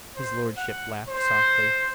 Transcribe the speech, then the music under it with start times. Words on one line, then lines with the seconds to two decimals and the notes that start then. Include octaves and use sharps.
His lordship laughed softly.
0.16 C5
0.57 F#5
1.09 C5